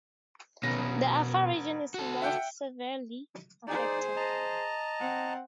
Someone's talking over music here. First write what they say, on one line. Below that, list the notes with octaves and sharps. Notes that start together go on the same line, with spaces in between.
The Afar Region is most severely affected.
F1 B2 C#4 A#6
E1
F#4 A4
E5 F#5 G5
D#4 G#4 C5 D5
D#5 A5 A#5
C4 F#5